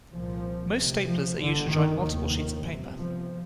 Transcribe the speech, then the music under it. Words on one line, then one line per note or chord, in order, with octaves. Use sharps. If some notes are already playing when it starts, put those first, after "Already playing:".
Most staplers are used to join multiple sheets of paper.
C2 A#2 F3
D2 C3
F3
G1 G2 D3
D#3
F1 D#2 D#3
D#3
G1 F2 C3
F3